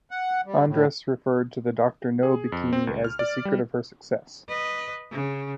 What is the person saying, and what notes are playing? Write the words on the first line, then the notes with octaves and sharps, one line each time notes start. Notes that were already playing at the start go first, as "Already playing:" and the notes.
Andress referred to the "Doctor No" bikini as the "secret of her success".
F#5
G3
A2
G#4
F2
C4
C#2
F6
D5
G3
B4 D#5
C#3